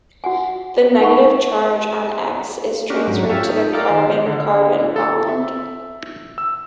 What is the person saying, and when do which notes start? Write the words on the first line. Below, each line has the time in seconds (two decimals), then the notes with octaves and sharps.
The negative charge on X is transferred to the carbon - carbon bond.
0.24 F#4 F#5 G#5
1.00 D#4 F#5 G#5 B5 C#6
2.90 A#3 C#4 D4 F#4 G4
3.07 G#2 F#3 C#4
3.29 F4 G4 A4 C#5 E5
3.49 D#4
3.73 F4 A4 A#4 D5 F5 G5
3.90 D#3 C5
4.26 D3
4.96 A4
5.28 E5
6.38 E6